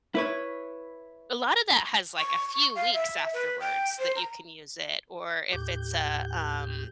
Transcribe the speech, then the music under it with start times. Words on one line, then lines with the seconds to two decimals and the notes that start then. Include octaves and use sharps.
a lotta that has, like, a few weeks afterwards that you can use it, or if it's a, um
0.15 E4 B4 C#5
2.18 C#6
2.53 C#6
2.75 F5
2.93 E5
3.34 B4
3.60 G5
3.99 C5
4.16 A#5
5.53 D#2 A2 G4 G6